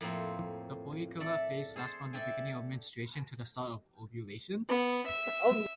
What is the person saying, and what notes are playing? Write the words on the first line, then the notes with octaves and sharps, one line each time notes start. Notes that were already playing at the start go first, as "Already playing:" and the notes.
The follicular phase lasts from the beginning of menstruation to the start of ovulation.
F2 A2 A#3 C4
A4 D5 E5
G#4 A4 C5 A5
A4 D5 E5 G5 G#5
B3
E5